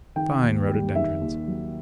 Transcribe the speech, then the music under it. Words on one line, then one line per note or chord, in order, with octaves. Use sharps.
Fine rhododendrons.
D#3 G5
D#2
G3
D#3 E5
D#2
F#3